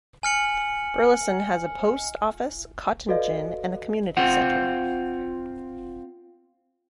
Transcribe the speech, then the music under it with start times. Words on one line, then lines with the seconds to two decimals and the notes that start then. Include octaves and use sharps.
Burlison has a post office, cotton gin, and a community center.
0.23 G#5 F6 C#7 F#7
3.08 F#4 A4 B4 D5 D#5 F5
4.17 C4 F4 F#5